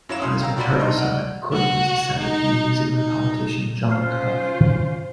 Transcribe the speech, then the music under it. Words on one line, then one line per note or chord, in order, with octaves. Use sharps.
On his maternal side, Courtney was descended from the New Zealand politician John Cuff.
F#2 F#3 E4 C#5 F5 E7
C#4 C6 D#6
F5 G5 A#5 E6
D4 F4 F#4 D5 B5
D#4 D#5 A5 A#5 C6 C#6
D5 D#5 F#5 F6
F#4
D#4
D#4
C#4 F4 C5 F6 C7